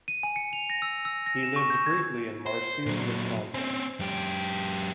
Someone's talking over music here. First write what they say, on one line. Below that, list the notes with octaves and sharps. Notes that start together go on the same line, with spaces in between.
He lived briefly in Marshfield, Wisconsin.
D#7
G#5
C#7
F7
A#6
E6
E6
A#6
E7
C#6
G6
G#6
C5
A#2 F#3
C4 C#4
F#2 G4